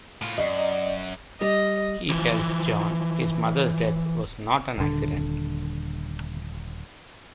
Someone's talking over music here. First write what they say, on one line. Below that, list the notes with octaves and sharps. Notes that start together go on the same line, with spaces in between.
He tells Jon his mother's death was not an accident.
A2 F4
F#2 D5 D#5
G3 D#5
E3 F3
D#1 D3